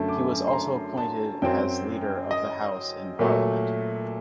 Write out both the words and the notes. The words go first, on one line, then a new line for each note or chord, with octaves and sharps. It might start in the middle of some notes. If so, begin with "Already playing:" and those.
He was also appointed as Leader of the House in Parliament.
Already playing: F#2 D3 A3 A5
D6
C6
A#5
A5
F#2 F#3 C4 G5
D#5
A#2 F#3 A3